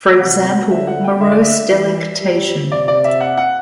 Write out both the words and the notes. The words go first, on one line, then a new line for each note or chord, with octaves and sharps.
For example, morose delectation.
C3 F#5
F#5
D3 E5
F#5
G5
D3 E5
D5
E5
E3
G3
C3 D5
D5
E5
F#5
F#5